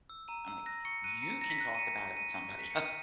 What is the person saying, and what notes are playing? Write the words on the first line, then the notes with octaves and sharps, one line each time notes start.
I'm, like, "You can talk about it with somebody
E6
A#5 D#7
E6
F#6 A#6
C#6 C#7
F#6 D#7
A#5 C#7
A#5 A#6
B6
F#6 A#6
D#7
A#5 C#7
C#6
G#5 D#7
C#6
F#6 B6
G#5 C#7
D#7